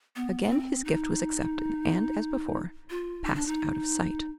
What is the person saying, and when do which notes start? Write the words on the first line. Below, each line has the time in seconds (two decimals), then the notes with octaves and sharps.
Again his gift was accepted and, as before, passed out of sight.
0.16 B3
0.45 B3
0.51 C4
0.85 D#4
2.90 F4
3.24 D#4
3.35 D4
3.47 D#4